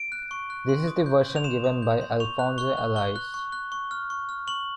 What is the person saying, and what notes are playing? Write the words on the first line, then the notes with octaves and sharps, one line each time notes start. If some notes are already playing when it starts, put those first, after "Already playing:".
This is the version given by Alphonse Allais.
Already playing: D7
F#6
C#6
F#6
C6
D#6
G6
C6
F7
C6 E7
D#6
G6
C6
C#6 F7
F#6
C#6 G7
F#6
C#6 G7
F#6
C#6
F#6
C#6
F6
C#6
F6
C#6 F#7